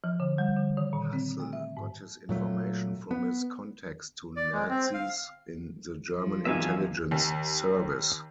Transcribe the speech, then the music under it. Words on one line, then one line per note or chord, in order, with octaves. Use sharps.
Hassel got his information from his contacts to nazis in the German intelligence service.
F3
D3
G3
D3
D#3
A#2
C4
A3
E5
G#2
A#2 F#3 A3
B3
D5
G#3
C4
F5
F3
G#1 E2 G#2 F#3 A#3 E5 F5 G#5
D#2